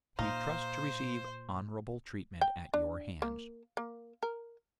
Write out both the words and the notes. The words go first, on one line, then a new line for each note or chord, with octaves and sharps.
We trust to receive honourable treatment at your hands.'
A#2 D#4 C5 F5
G5
D4
A#3
A#3
A#4